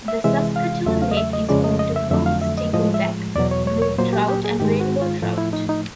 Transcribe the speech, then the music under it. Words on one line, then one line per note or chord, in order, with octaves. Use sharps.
The Saskatoon Lake is home to brook stickleback, brook trout and rainbow trout.
E5
C3 E3 G#3 E5
F5
E2 C#3 F#3 A3 E5
F5
D#5
E5
D#5
F2 C#3 F3 G#3 D5
D#5
D#5
E5
F2 D3 F#3 A3 E5
F5
E5
D#5
A2 F3 G#3 D#5
E5
E2 B2 F#3 D5
C#5
C#5
C#5
A#2 F#3 A#3 C5
G4
G4
G#4
G#2 D#3 G#3 G4
F#4
F4
A2 F3 A3 F4
E4
D#4
D#4